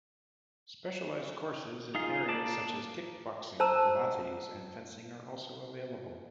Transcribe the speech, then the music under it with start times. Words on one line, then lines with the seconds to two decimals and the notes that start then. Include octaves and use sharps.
Specialized courses in areas such as kickboxing, pilates, and fencing are also available.
1.95 D#4 F4 G#4
2.29 A#3 D5 A5
3.60 C5 A5 A#5 E6